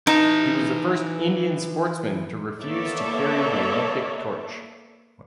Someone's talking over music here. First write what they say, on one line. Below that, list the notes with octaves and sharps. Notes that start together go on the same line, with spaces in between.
He was the first Indian sportsman to refuse to carry the Olympic torch.
E3 D#4 A5
A#3 B3 A4 C#5 D5 E5